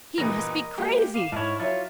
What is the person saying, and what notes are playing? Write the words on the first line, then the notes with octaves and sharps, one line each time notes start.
He must be crazy.
G2 A#2 E3 B3 A#4 D#5
G#3 A#3 F#4 G4
F5 D6 D#7 E7
G#2 E4 C#5 A5 F6
F#3 E4 F4 C#5